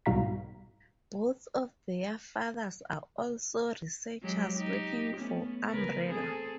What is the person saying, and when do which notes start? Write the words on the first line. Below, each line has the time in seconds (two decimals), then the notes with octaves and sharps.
Both of their fathers are also researchers working for Umbrella.
0.06 C2 G#2 B2 F5 A#5 B6
4.22 F#3 G#3 G4
4.57 D#4 G4
5.16 A3 B3 C#4
5.69 C#3 A#4 B4
6.10 C4 G#4 A4